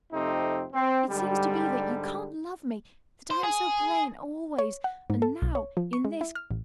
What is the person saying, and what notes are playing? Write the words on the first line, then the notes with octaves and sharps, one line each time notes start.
"It seems to be that you can't love me, that I am so plain... always... and now... in this cond..."
F2 C3 A3 C4 D#4
C4
G#2 D3 G3
C5
G#4
C#5
F#5
G#2
A4
B1
C#5
F3
C#6
G#3
E4
F6
A1